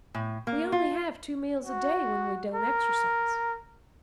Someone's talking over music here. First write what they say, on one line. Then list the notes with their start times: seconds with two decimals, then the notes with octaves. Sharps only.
We only have two meals a day when we don't exercise.
0.14 A2
0.47 A#3
0.72 F4
1.65 F#4
2.54 A#4